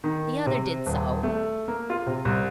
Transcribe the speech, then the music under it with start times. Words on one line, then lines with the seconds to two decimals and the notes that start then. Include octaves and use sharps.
The other did so.
0.04 D#3
0.46 C3
0.86 D#1
1.23 A3
1.68 A#3
1.90 F4
2.06 C3
2.25 C2